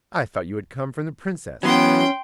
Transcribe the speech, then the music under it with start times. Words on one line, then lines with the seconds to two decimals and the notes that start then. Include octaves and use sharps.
'I thought you had come from the Princess.
1.63 E3 F#3 B3 C#4 G5 C6